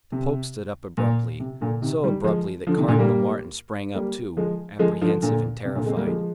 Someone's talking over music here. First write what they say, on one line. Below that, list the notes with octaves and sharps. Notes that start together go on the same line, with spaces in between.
The Pope stood up abruptly--so abruptly that Cardinal Martin sprang up too, apprehensive and terrified.
C3
A#2
C3
A#2 D3
C3 D#3
D#3 G3
F3 G#3
D3 F3
C3 D#3
A#2 D3
G3 A#3
G3 A#3
F3 G#3
F3 G#3
D3 F3
A#2 D3
C3
A#2 D3
G#3 C4
G3 A#3
F3 G#3